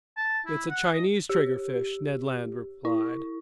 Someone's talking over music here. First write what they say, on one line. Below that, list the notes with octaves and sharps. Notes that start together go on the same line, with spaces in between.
"It's a Chinese triggerfish," Ned Land replied.
A5
E4
F#5
D#5
G4
E4